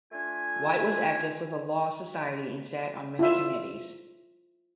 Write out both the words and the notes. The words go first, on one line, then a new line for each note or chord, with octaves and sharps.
White was active for the law society and sat on many committees.
A3 D4 F4 E5 G#5
E4 F4 E5